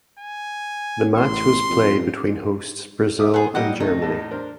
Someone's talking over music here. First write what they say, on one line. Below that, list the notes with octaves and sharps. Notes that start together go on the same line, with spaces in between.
The match was played between hosts Brazil and Germany.
G#5
A1 C6
F2
E5 D6 D#6
B3 G#4 C5
A#2 F#3 G3 G4 D#5 F#5
D2 C3 A3 D#4
E2 A2 A5
D4 A#4 C5